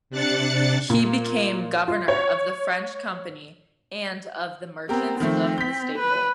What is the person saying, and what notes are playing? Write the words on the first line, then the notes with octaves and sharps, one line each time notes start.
He became Governor of the French Company and of the Merchants of the Staple.
C3 D4 F#6 A6 C#7
A#2
F4
C#5
B3 C4 G4 A#4
D#3 F3 A3 C4
G6 B6
B4